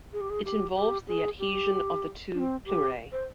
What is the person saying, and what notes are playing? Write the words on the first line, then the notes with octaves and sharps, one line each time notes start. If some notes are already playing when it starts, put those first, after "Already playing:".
It involves the adhesion of the two pleurae.
G#4
G4
G#4
G4
G4
G#4
G4
D4
C4
G4
C5